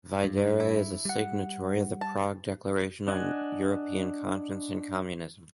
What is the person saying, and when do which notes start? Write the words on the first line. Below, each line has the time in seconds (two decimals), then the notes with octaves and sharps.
Vaidere is a signatory of the Prague Declaration on European Conscience and Communism.
0.24 G2
0.60 E4
1.05 G3 F#5
2.01 A5
3.08 D4 D#5 F#5 G#5